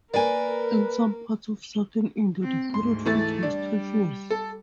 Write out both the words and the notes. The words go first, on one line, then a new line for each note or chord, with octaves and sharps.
In some parts of southern India the period fixed was twelve years.
A#3 A#4 B4 D5 G#5
C4
D2 G#2 C6
E3 A3 A6
G3 D4
A4